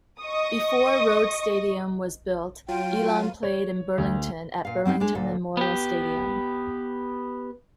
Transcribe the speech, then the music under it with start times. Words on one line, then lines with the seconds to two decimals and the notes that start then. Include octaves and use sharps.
Before Rhodes Stadium was built Elon played in Burlington at Burlington Memorial Stadium.
0.21 D#5 C#6 D#6
2.68 F#3 F4 G5 D#7
3.43 C#5
3.98 D2
4.65 A#2 F5
4.85 F#3 C4 C#4 D#4
5.00 G#3 D4
5.15 D2 A#2 A4
5.57 B3 G4